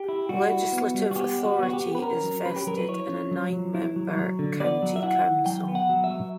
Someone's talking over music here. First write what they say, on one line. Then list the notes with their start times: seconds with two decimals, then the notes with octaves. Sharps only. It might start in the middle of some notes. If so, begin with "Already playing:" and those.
Legislative authority is vested in a nine-member County Council.
Already playing: G4
0.08 E4
0.29 G3 F#4
0.52 E4
0.73 B3
0.94 G3
1.11 F#4
1.16 B3 G4
1.38 G3
1.44 F#4
1.59 B3 F#4
1.73 G4
1.80 B3
1.95 B4
2.02 C#4 A#4
2.23 F#3
2.45 C#4 B4
2.56 G4
2.67 F#3 A#4
2.78 B4
2.88 E4 C#5
3.09 C#4
3.31 F#3
3.53 F#3
3.75 E4
3.96 F#3
4.17 F#3
4.39 D3
4.60 B3 D5
4.82 F#3
4.96 E5
5.03 E4 F#5
5.24 E4
5.46 F#3 G5
5.68 B3
5.75 F#5
5.89 F#3
6.04 E5
6.11 F#3